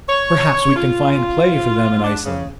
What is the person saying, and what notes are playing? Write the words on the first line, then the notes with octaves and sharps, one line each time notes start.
"Perhaps we can find play for them in Iceland."
C#5
F4
D4
C#3